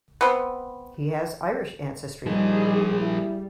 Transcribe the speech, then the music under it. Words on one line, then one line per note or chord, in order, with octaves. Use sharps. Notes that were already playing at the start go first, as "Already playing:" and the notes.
He has Irish ancestry.
B3 C4
F3 G3 A#3 D#4 G#4
G3 E4